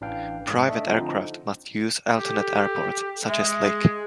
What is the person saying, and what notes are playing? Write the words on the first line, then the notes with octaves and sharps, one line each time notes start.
Private aircraft must use alternate airports, such as Lic.
A1 E3 D4 B4 F5 G5
G#2
A3 D4 D#5 E5
D3 F3 C4 D#4
G4 A4
G#3 E5
G#4